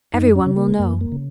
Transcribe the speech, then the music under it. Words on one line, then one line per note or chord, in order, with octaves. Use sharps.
Every one will know.
F#2 D#4
C#4
C#3
A#3
F#2 A#3
A#3
C#3